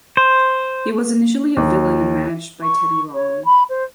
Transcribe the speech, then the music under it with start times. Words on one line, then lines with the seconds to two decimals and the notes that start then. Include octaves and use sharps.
He was initially a villain and managed by Teddy Long.
0.17 C5
1.57 D#2
2.63 C#6
3.14 C#5
3.45 B5
3.69 C5